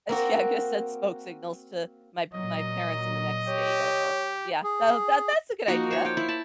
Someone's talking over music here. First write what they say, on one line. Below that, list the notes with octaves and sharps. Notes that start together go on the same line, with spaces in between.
Eh sh yeah, coulda sent smoke signals to my my parents in the next state over. Yeah, that w that that's a good idea.
A#3 C4 F#4
A#2 F#3 D#5
G4 C#5
G#4
F3 A#3 D#4 F#4
C5 C#5
F5 G5
E4 E5
A5 B5